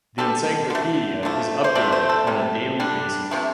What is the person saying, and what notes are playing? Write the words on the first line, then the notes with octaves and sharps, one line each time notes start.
The Encyclopedia is updated on a daily basis.
D3 G3 A4
D3 A3
D3 F3 A3
C5
C3 A3 D5
C5
A4
C3 G3
D3 G3 D4
C3 F3 A3